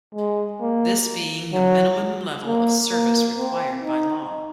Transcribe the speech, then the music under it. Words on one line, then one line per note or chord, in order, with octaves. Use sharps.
This being the minimum level of service required by law.
G#3
A#3
F#3
A#3
A#3
C4
D#4